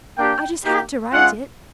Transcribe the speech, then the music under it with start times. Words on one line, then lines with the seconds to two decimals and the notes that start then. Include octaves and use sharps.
I just had to write it.
0.17 A#3 D4 G4 G5
0.65 A#3 D#4 G4
1.12 G#3 C#4 F4 F#5